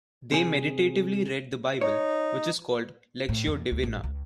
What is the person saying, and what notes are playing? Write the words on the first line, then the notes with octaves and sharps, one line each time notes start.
They meditatively read the Bible, which is called Lectio Divina.
C3 G#4
D#4 C#5
A2
E2
D2
A1
C#2